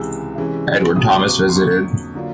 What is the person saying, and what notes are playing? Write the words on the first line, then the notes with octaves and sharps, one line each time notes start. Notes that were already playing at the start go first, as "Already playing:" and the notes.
Edward Thomas visited.
Already playing: C#2 C3 E3 G#3 E6
C3 E3 G#3 C#4
C#2 B2 F#3 D#6
D6
C#6
C6
F2 D3 F#3 A#3 C#6
D3 F#3 A#3 D4 F4